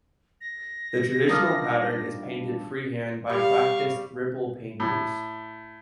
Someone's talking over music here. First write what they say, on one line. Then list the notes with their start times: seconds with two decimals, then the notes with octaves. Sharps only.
The traditional pattern is painted free-hand by practised "ripple" painters.
0.41 A#6
1.29 F3 G3 D4 D#4 F4 A#4 D#6 F6
3.30 G3 F5 C#6
4.80 A2